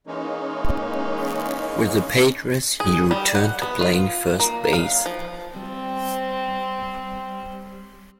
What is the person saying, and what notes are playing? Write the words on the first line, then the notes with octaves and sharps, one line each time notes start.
With the Padres, he returned to playing first base.
E3 G#3 A#3 C#4 D#4
G#4
G3
F#5
B3
F4
A#3
F5
F3
G3 C4